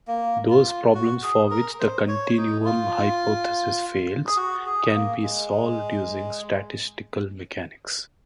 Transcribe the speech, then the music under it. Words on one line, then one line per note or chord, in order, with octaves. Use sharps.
Those problems for which the continuum hypothesis fails, can be solved using statistical mechanics.
A#3
F4
F#4
G#4
A#4
C5
C#5
D#4
F4
G#4
F#4
G#4
A#3
G#3